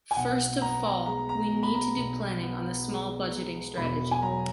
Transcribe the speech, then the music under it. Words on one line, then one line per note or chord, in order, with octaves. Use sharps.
First of fall, we need to do planning on the small budgeting strategy.
G#5
B1 F#5
B3 A#5
G#3 A#5
A#5
B2
B5
A#5
B1
B3
G#3
B2
E1 B5
G#5
F#3 A#5